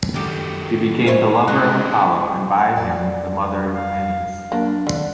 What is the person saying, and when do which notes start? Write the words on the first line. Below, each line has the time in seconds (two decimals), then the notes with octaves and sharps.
She became the lover of Apollo and by him the mother of Anius.
0.14 F#2 D#3 A3 G4
1.07 G#2 E4 C5 C#5
1.48 G#3 C4 D4 D#4 F#6
2.76 F2 F#3 D5
3.74 F5
4.52 B2 F#3 A#3 D4
4.87 D3 D#3 B3 D4